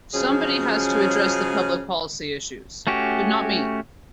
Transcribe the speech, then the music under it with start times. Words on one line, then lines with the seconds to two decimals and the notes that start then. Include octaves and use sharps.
Somebody has to address the public policy issues - but not me.
0.14 C#3 F3 F#3 G#3 C#4 G#4
2.87 A3 C#4 F#4 G4